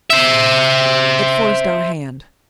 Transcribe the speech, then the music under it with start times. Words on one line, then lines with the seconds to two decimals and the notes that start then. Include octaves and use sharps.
It forced our hand.
0.10 C5 E5